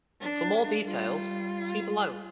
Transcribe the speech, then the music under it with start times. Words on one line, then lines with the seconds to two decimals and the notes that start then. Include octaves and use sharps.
For more details see below.
0.21 D4
0.85 G3 F4